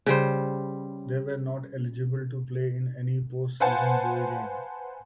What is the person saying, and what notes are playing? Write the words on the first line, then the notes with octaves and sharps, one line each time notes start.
They were not eligible to play in any post season bowl game.
C#3 G3 C5
B4 C5 F5 F#5 G#5 A5